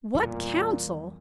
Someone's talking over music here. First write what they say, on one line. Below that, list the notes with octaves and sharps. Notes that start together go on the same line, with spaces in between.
"What council?"
E2 A#2 G3 B3